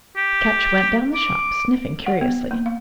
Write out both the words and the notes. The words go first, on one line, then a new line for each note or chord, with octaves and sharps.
Ketch went down the shop, sniffing curiously.
G4
D6
F#5
B3
A#3
F5